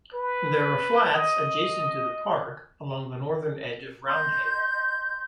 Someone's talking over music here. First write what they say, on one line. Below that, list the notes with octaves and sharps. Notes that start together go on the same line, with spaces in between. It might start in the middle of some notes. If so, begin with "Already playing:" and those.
There are flats adjacent to the park and along the northern edge of Roundhay.
B4
D#5
D#5 C6 G6